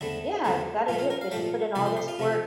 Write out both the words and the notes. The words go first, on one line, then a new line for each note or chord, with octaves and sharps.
Yeah, you gotta do it because you put in all this work
E2 D3 A3 C4 E4
E2 D3 A3 C4
A#2 F3 A3 F4
F4
A#4
F5
A#2 F3 A3 G5
C3 F3 A3 D5
C5
C5
F4
C3 F3 A3